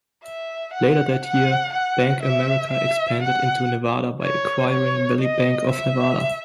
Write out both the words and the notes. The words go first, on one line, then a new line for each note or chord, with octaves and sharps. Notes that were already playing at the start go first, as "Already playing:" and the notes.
Later that year, BankAmerica expanded into Nevada by acquiring Valley Bank of Nevada.
E5
F#5
F#5
F#5
E5
E5
F#5
C#5
C#5
D#5
E5